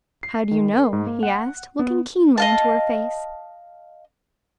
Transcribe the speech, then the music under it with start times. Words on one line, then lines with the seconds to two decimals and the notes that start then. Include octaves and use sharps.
"How do you know?" he asked, looking keenly into her face.
0.23 C7
0.51 D#3
0.73 A#4
0.93 G#2
1.07 A#3
1.23 F#5
1.79 B3
2.37 D#5 F5 A5